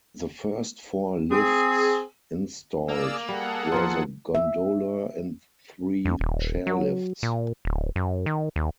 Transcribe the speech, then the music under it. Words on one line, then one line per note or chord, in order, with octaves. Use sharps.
The first four lifts installed were the gondola and three chairlifts.
C4 G#4
A#3 G#4 D5 E6
G3 G#4 A4 F#5
F3 A#3 F4
E5
F2
D#1
F#3
A#2
D1
F#2
D#3
D#2